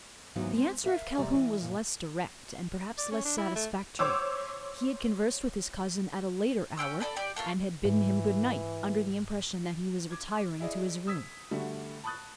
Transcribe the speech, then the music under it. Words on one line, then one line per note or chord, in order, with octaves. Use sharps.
The answer of Calhoun was less direct, and, perhaps, less satisfactory. He had conversed with his cousin at a later hour, and had bidden him good night, under the impression that he was retiring to his room.
D#2 G#2 E3 F#3 B3 D#4
G#3 C4
A#4 E5 F5
E2 C3 G3 D5 A#5
E3
F#2 A#2
D5
C#4
D4
E4
A3
C5 C#5 D6 E6
C#4 F4 G5 E6
A4 D5 G#5 B5
G4 D5
A3 A#3 F4 C#5
G#2 E3
D6 G#6
E4 G#4 D5 D#5
D#6 E6 G#6 B6
D3 G3 A3 F#4
A5 B5 C#6 D#6 F#6 A6